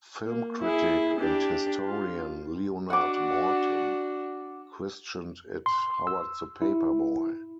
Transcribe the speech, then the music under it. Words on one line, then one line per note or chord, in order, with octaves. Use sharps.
Film critic and historian Leonard Maltin christened it "Howard the Paperboy".
A#3
E4 G#4
D4 G4
F4
D4 F#4 F#5 D6
C6
E6
E4